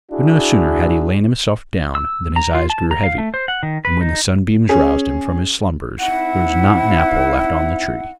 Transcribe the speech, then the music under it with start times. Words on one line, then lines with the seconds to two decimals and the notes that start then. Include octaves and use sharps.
But no sooner had he lain himself down than his eyes grew heavy, and when the sunbeams roused him from his slumbers there was not an apple left on the tree.
0.12 D4 E4 F#4 G#4
1.95 E6
2.36 A#5
2.54 F4
2.70 A5
2.91 A#5
3.03 F5
3.18 A3
3.34 C5
3.48 F#5
3.63 D#3
3.85 B4
4.01 D#4
4.69 C#4 G#4
6.00 C4 D#4 E4 F#5